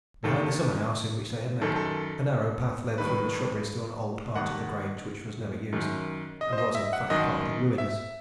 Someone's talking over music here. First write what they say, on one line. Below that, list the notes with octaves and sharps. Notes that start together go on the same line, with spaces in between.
Behind the summer-house in which they had met a narrow path led through the shrubberies to an old part of the Grange which was never used, and was, in fact, partly ruinous.
D#2 D#3 A4
F#2 D#3 A4
A4
G2 D#3 B4
D#2 D#3 F#5
F#2 D#3
D#5
C5
D#5
E5
F#5
F#2 D#3 D#5
E5